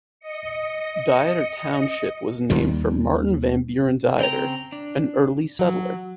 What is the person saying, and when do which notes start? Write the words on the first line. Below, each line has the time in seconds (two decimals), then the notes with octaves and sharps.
Dieter Township was named for Martin Van Buren Dieter, an early settler.
0.20 D#5 C#7
2.50 D#2 D#3 G3
4.19 C#3 C4 G5 A#5
4.72 D4
5.59 F#3